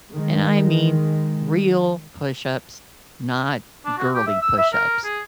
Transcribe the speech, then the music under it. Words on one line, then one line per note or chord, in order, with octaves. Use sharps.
and I mean real push-ups, not girly push-ups
D#3 G#3
D4
F#4
G4
E5
E6
E5
A#4
G#4